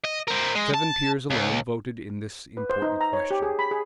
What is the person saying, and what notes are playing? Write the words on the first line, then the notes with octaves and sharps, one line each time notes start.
Seven peers alone voted in this important question.
D#5
C4 A#4
G#3
A5
C#2
B4
C5
D#4
A#5
C#5
G4
G#4
B5
G#4